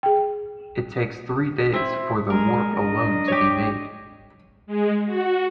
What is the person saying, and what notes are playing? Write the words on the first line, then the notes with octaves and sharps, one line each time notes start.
It takes three days for the warp alone to be made.
G#4 G5
C4 E4
G#3 A#4
D4 D#5
G4 C#5
G#3
F#4